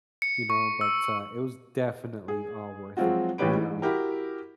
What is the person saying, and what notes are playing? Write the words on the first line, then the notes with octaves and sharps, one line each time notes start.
you know, but, uh, it was definitely all worth it, you know.
C#7
C#6
E6
G#4
F3 F#3 G#3 C4 F4 F#4
A1 E3 C#4 G4 B4 D7
G#2 E3
E4 F#4 G4 A#4